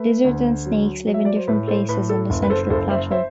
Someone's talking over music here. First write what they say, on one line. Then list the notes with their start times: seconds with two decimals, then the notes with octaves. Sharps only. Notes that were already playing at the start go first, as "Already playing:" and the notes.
Lizards and snakes live in different places in the central plateau.
Already playing: A3 B4
0.24 D2
0.66 F#3
1.07 F#3
1.14 E5
1.25 D5
1.37 C5
1.48 A2 B4
1.67 A4 C5
1.89 A2 B4
2.09 A4
2.30 F#1
2.43 B4
2.50 A4 C5
2.70 F#1 A4 C5
2.90 C5 E5
3.11 C5 E5